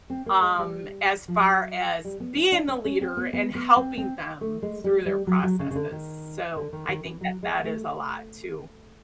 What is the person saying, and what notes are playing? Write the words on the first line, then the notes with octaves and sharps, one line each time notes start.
um, as far as being the leader and helping them through their processes. So, I think that that is a lot to,
C4
A#3
G#3
G3
F3
F#3
G3
B3
C#4
D4
C#4
C#4
C4
B3
B3
B3
C4
C4
A3
G#3
G3
G3
F#3
F#3
C#3
C#3
D3
D#3
D3
D#3
D#3
E3
F#3
G#3
A3